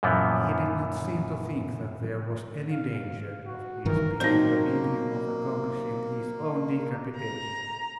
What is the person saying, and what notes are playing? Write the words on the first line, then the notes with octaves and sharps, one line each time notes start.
He did not seem to think that there was any danger of his being the medium of accomplishing his own decapitation.
F#2 A#2 E3 F3 B3
F5
F#4
G2 D#3 E3 A#4
D#3 F#3 A#3 C4 D#4 C5
A#5